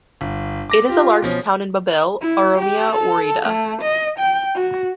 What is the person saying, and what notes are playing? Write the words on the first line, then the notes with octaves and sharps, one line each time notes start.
It is the largest town in Babille, Oromia woreda.
G1
D6 A#6
F4 G4
B2 F3 C#4
E4
G4
A4
A3
D#5
G5
F#4